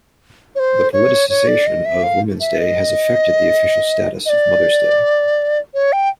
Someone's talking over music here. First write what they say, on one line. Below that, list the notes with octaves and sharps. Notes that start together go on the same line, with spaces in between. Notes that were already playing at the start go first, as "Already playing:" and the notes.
The politicization of Women's Day has affected the official status of Mother's Day.
C#5
C5
C#5
C#5
D5
D#5
E5
F5
E5
D#5
D#5
D5
C#5
G5